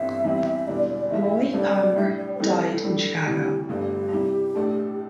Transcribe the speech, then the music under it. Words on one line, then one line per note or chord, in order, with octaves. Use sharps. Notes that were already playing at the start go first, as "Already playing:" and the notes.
Roy Palmer died in Chicago.
Already playing: G1 G2 E3 C4 E5
E2 E3 G3 C4 E4
E1 E2 D3 G3 E4 D5
G2 E3 A3 E5
C5
C2 C3 G3 D4 A4 D5
A2 G3 D4 G4 E5
D5
C5
C2 C3 E3 G3 E4 A4
A2 G3 D4
D2 C3 E3 G3 E4 G4
G1 G2 D3 A3 G4
C3 G3 E4
A1 A2 A3 D4 A4